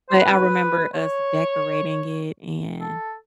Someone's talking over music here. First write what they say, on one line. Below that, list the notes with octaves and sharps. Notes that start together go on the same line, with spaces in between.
but I remember us decorating it, and,
C5
B4
C#5
A4